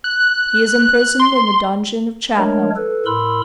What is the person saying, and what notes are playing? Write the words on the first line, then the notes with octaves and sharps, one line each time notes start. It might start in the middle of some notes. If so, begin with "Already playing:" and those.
He is imprisoned in the dungeon of Chatham.
F#6
C6
G#3 A3 D4 A#4 C#5
A4 B4
A2 A#4 B5 C6 E6